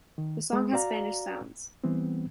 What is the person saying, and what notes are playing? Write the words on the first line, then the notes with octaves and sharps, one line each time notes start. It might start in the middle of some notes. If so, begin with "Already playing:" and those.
The song has Spanish sounds.
D#3
G#3
F#4 D5 F5 A#5
E3 G3 B3 C4